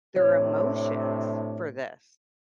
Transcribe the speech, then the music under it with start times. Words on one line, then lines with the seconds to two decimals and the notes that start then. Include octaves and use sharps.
their emotions for this.
0.16 A2 C3 D4 C#5